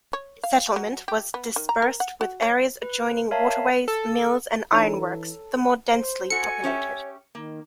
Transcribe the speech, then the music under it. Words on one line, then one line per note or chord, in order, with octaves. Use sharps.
Settlement was disbursed, with areas adjoining waterways, mills, and ironworks, the more densely populated.
C#5
F5
F#3
G4
B3
D#3
A#5
A#4
F#5
F#4
C#5
B4
A#4 C#5 E5 F5 A5 A#5
A4
E3 D4 D#4 A4 C#5 A#5
C5
F#4 A4 G#5 C#7
C#4 G4 C#5 E5
D#3 A#3